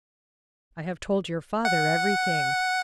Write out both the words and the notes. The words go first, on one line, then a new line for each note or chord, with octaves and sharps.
"I have told your father everything."
F#5